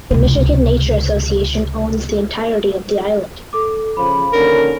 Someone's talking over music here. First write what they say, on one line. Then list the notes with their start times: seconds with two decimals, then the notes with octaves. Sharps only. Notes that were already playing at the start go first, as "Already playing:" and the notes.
The Michigan Nature Association owns the entirety of the island.
0.11 C#2 C3
3.53 A4 D6
3.97 C#3 F3 B5
4.33 D#2 D3 C#4 A#4